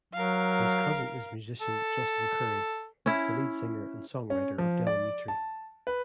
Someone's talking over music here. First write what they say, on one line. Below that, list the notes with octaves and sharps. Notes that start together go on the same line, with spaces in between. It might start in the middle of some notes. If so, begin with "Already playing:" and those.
His cousin is musician Justin Currie, the lead singer and songwriter of Del Amitri.
F#3 A#4 F5
A4
C#4 E4
C#4
F3
D5
A5
B4